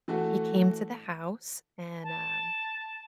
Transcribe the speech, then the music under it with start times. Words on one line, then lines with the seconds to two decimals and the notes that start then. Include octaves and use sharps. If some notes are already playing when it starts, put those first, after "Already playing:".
he came to the house, and, um
0.08 E3 A3 F#4 A4
2.03 A5